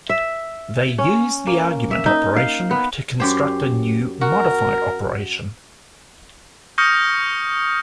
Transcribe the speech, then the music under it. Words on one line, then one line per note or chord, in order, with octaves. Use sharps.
They use the argument operation to construct a new modified operation.
E5
C#4
A#3
E5
D#4
F5
B3
F#2 G4 C5
F#4 A#4
C#6 D#6 F6 G6 A#6 C#7